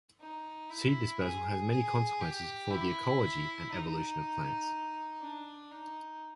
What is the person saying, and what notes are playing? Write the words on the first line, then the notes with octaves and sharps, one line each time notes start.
Seed dispersal has many consequences for the ecology and evolution of plants.
D#4
E4
G#4
G#4
G4
E4
D#4
D4
D#4